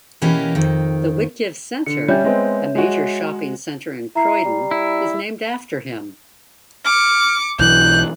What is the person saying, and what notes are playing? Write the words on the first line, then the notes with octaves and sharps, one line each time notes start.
The Whitgift Centre, a major shopping centre in Croydon, is named after him.
B2 E3 A#3 C#4 G4
F2 D#3
D3 C#7
G3 C#4 C#5 E5 G6
G#3 B3 C4
G#3 F#4
E4 A#5 C7
G3
E4
D6 F6 C#7
B1 E3 F#6 G6